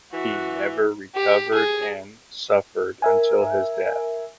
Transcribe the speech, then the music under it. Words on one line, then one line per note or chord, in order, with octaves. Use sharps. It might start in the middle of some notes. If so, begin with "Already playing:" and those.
He never recovered and suffered until his death.
E3 F#4
G4
G#4
A#4 E5 G#5